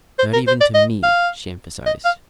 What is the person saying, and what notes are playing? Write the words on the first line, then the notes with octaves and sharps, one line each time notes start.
"Not even to me," she emphasized.
C5
A#4
C5
D5
D#5
F5
D#5
F5